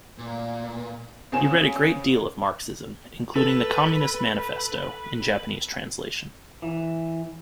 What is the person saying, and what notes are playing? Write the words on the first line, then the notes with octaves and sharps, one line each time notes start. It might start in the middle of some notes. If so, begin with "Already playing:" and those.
He read a great deal of Marxism, including the "Communist Manifesto", in Japanese translation.
A#2
C#3 C4 G#5 E7
A4 B4
E3